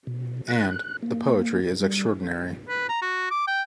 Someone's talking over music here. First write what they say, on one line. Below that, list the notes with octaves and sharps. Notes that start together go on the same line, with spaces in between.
And, the poetry is extraordinary.
B2
F#6
A#3
G3
B4
A#5
F#4
D6
G5